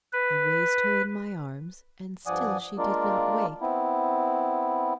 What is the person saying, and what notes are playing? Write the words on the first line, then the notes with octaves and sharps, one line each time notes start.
I raised her in my arms, and still she did not wake.
B4
G2 F3 D5 F#5 G#5 D#6
G#3 A#3 D4 F4 A#4 D5
B3 C4 E4